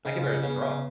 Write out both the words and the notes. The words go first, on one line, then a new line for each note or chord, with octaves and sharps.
I can barely draw.
C#3 D#4
F4
C#3
D#4
C#3 B3
C#3